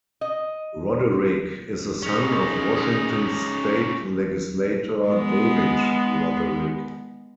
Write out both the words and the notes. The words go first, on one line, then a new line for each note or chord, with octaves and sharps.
Roderick is the son of Washington state legislator David Roderick.
D#5
C#4 D#4 G#4
G#3 B3